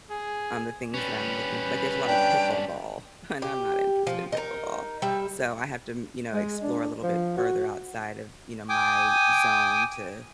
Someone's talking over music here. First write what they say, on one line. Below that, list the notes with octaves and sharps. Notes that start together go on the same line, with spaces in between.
um, the things that I'm looking like, there's a lot of pickleball, and I'm not interested in pickleball. So, I have to m you know, explore a little bit further outside of, you know, my zone to
G#4
G3 C#4 B4
D4 G5
G4
F3
D#4 A#4
G3 E5
G#3
D4
F3
F#4
G5 G#5 D6 D#6